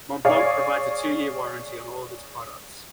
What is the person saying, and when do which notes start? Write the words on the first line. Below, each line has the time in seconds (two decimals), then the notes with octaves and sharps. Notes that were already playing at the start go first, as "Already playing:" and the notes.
Montblanc provides a two-year warranty on all of its products.
0.25 G#4 C#5 D5 F5